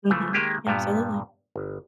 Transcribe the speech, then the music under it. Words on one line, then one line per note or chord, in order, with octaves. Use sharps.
Mhm, absolutely.
C#3 E3 F3 A3
D#3 G#3 A#3 G4 G#4
G2 A#2 G3 B3
G1